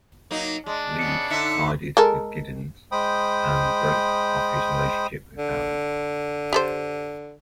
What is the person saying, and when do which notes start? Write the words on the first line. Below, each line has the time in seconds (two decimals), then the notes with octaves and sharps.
Leese sided with Gittens and broke off his relationship with Baron.
0.31 F#3 A#3 D#4
0.66 G#3 D4
0.99 C#3 B3 C#7
1.30 D3 D#4 E5 C#7
1.97 G#3 A4 A#4
2.92 G#3 C5 G5 B5 D#6
5.38 D3
6.53 G4 A4 C5